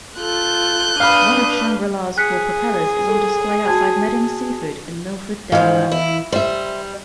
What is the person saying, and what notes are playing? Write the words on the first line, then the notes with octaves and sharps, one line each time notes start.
One of "Shangri-La"s four propellers is on display outside Meding's Seafood in Milford, Delaware.
F4 A4 F#6 G6
D4 B4 F5 B5 D#6
G#4 F#6 B6 C#7
A4
F#4 A5 G#6
G#2 E3 F3 F5
E4
G3 C5 E5